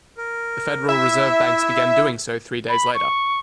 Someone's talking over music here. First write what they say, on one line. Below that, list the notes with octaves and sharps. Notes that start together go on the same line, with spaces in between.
The Federal Reserve banks began doing so three days later.
A#4
E4 E5
B5
C#6